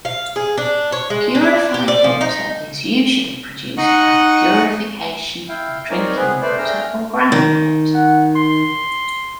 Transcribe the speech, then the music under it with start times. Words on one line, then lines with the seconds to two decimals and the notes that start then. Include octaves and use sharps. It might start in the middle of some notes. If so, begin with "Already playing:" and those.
Purified water is usually produced by the purification of drinking water or ground water.
0.05 F5
0.36 G#4
0.58 D4
0.92 C#5
1.10 G#3
1.35 D4
1.74 G4
1.88 D5
2.04 F3
2.21 D#4
3.78 D#4 D#5 F#5 C#6 F#6
5.49 E4 F5 G5
5.90 C4 D#4 A#4 C#5 D5 G#5
6.16 B3 C4 G#4 B4
6.42 A3 B4 C5 D5
6.58 A3 D4 G#4 G5 A#5 F6
7.32 D#3
7.94 F#5
8.36 C6